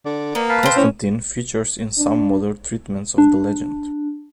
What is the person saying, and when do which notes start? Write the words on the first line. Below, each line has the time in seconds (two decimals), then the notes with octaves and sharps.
Constantine features in some modern treatments of the legend.
0.05 D3 D5
0.35 A#3 B3
0.49 B4 F5 A5
0.63 C4 C5
0.76 A2 C#4
1.98 D4
3.18 D4